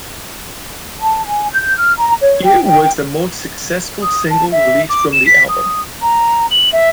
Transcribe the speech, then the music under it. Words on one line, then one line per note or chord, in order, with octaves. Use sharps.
It was the most successful single released from the album.
A5
G#5
G6
F6
A#5
C#5
G5
G5
D#6
A5
E5
D6
E7
B6
D#6
A#5
F#7
E5